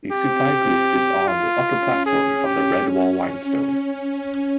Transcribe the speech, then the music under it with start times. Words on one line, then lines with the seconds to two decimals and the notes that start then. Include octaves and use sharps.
The Supai Group is on the upper platform of the Redwall Limestone.
0.11 C4 G4
0.51 C4
1.28 F4
1.67 C#4
2.06 G#4
2.45 G4